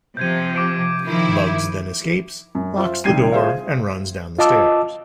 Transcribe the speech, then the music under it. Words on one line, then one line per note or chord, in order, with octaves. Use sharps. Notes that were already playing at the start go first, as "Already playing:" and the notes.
Bugs then escapes, locks the door, and runs down the stairs.
C3 F3 G6 G#6 D#7
D6 D7
D#3 F3 E4
F#2
F4 C5 E5
C2 D#3 G5 G#6 C7 D#7
F4 G#4 C5 E5 F5
F4 D#5 A5 D6 E6